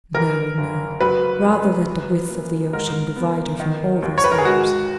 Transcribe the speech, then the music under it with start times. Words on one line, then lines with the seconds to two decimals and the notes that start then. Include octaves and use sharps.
No, no! rather let the width of the ocean divide her from all those horrors.
0.14 E3 A#4
0.58 F#1
1.01 F#3 B4
1.44 F#2
1.87 E3
2.30 A#3
2.73 G#2 A#4
3.16 B3
3.60 D#3
4.02 D#2
4.18 C#5
4.24 B4
4.32 A#4
4.38 G#4
4.45 G#2 F#4